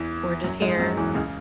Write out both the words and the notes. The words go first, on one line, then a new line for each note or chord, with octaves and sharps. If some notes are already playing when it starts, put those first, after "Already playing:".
We're just here."
Already playing: E2 E3
F#2 F#3
G#2 G#3
F#2 F#3
E2 E3
C#2 C#3